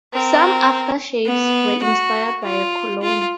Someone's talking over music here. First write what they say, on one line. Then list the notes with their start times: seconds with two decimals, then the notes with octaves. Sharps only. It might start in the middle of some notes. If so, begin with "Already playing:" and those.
Some aftershaves were inspired by a cologne.
0.13 C4 A#4
1.26 B3
1.83 F#4
2.44 F4
3.02 F4